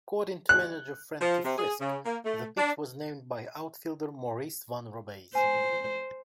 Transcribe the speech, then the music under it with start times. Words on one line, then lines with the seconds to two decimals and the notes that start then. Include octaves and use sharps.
According to manager Frankie Frisch, the pitch was named by outfielder Maurice Van Robays.
0.49 F#6
1.21 F3
1.45 C3
1.57 G#4
1.80 C#3
2.06 A#3
2.25 A3
2.57 D4
5.35 C5 G#5